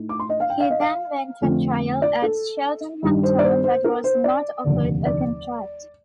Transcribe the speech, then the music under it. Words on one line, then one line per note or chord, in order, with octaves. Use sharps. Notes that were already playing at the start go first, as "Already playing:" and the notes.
He then went on trial at Cheltenham Town, but was not offered a contract.
Already playing: A2 A3 D#4
D6
C6
D#5
F5
G5
F5
D#5
F5
F2 D3 A3 C4 F4
D5
A4
G2 D#3 G3 D4
C5
D5
C5
C5
A#4
C5
D5
F1 D#2 D3
D5